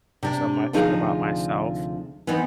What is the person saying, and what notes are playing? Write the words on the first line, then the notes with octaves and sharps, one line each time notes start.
so much about myself
C3 D4
D2 C3 F3 D#4 G#4 F5
E3 B3 C4 D#4